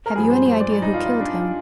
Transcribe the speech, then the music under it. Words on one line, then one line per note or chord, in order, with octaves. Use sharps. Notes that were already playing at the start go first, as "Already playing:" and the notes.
"Have you any idea who killed him?"
A#4
G2 F3 G#4
C5
C5
D5
D5
D#4
F4
F4
D4
F4